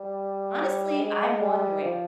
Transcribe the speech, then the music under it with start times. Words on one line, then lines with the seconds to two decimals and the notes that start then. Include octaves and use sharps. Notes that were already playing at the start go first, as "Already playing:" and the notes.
honestly, I'm wondering
Already playing: G3
0.98 G#3
1.40 G3
1.83 F3